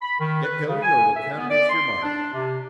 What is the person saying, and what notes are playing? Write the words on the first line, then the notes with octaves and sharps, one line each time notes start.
"Get going or it'll count against your mark!"
B5
D#3
B4
C#3
G#5
E5
B3
D5
C6
D4
C3